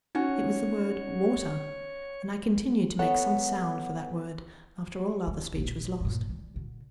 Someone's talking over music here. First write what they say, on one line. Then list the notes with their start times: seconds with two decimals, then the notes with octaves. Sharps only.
It was the word "water," and I continued to make some sound for that word after all other speech was lost.
0.15 C#4 D#4 F#4 C#5
2.99 B3 A4 C#5 F#5
5.27 D3
5.54 E1 A#1
6.00 G2 A#2
6.29 E3 G3
6.54 A#2 D3